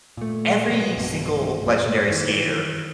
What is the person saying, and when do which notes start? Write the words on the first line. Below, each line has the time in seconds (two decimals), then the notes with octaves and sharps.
every single legendary skater
0.17 A#2 A3
0.68 B2 F#3 B3
0.96 B1 G2 B2
1.66 F#2 A#2
2.10 D#3 E3